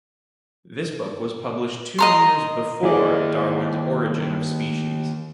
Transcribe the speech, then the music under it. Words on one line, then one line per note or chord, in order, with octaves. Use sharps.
This book was published two years "before" Darwin's "Origin of Species".
D#5 A#5 C6
D#2 E4 G#4 D5 D#5